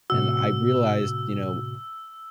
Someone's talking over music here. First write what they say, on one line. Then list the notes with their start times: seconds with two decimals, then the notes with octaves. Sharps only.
and I realized, you know,
0.10 A2 C3 F#4 E6